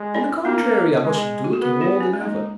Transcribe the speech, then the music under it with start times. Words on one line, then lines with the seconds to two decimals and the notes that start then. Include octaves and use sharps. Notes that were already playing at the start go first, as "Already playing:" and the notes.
On the contrary, I must do it more than ever.
Already playing: G#3
0.15 C#4 E4
0.45 A#3 B3 D#4
1.04 G#3
1.44 F#4
1.53 G#4
1.61 B3 F#4 A#4
1.81 E4 G#4
2.00 C#4
2.13 G#3
2.21 A#3 D#4